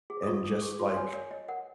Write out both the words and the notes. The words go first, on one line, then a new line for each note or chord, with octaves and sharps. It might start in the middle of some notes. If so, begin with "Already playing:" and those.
and just, like
G#4
D#6
F4 C#6
G#4 D#6
G#4 C#6
F4 C6
C#5 G#5
A#4 C#5
C#5 D#5
A#4 F#5